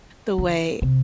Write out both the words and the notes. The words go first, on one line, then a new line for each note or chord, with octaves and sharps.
the way
D3
C3